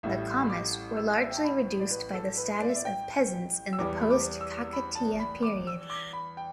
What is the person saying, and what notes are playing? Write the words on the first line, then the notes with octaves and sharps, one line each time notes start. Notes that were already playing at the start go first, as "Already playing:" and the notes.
The Kammas were largely reduced by the status of peasants in the post-Kakatiya period.
A1 A2 G3 E5
B5
D6
E6
D5
E5
G5
A5
B5
D5
B4
A4
B4
D5
E5
D5
G5
E6
E2 E3 G3 D6
B5
D6
E6
B5
A5
B5
D6
E6
D6
B5
G5